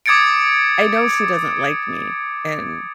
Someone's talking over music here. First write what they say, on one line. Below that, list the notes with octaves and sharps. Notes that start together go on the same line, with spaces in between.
I know she doesn't like me, and
D6 D#6 G#6 A6 C#7 D7